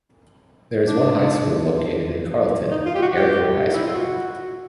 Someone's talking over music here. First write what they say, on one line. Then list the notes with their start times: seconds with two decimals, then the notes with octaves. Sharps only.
There is one high school located in Carleton, Airport High School.
0.88 D4
2.71 D#4
2.86 F4
2.95 G4
3.02 F#4
3.17 G4
3.65 D#4
3.74 E4
3.84 F4
3.93 F#4